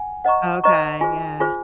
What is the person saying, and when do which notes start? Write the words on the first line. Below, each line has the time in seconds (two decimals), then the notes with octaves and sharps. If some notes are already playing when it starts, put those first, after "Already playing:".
Okay, yeah.
Already playing: F#5 G#5
0.24 C5 D#5 F#5 A#5 C#6
0.64 C5 D#5 A#5 C#6
1.01 F4 G#4 C5 G#5
1.40 F4 G#4 C5 G#5